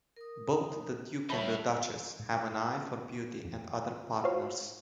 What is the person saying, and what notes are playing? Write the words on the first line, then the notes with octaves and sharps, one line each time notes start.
Both the Duke and Duchess have an eye for beauty and other partners.
A#4 D#6
G3 D#4 C#5 E5 F5 A5 B5
A2
F2
F4 F#4 C5 C#5 F5